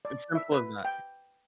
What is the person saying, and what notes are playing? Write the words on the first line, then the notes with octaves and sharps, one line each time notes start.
It's simple as that.
D5
E5
B4
G5